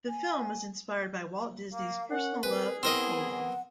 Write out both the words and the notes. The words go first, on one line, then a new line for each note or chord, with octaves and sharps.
The film was inspired by Walt Disney's personal love of polo.
G#5
A#3 F5
C#4 A#4 F#5
C4 G#4 B4
B3 C4 E4 A#4 D#5
F#5